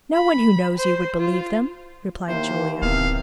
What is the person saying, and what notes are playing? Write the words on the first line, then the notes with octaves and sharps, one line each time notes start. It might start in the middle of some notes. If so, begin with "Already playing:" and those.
"No one who knows you would believe them," replied Julia.
B5
C5
F4
D#2 A#3 E4 C5
D1 C3 E3 B3 F5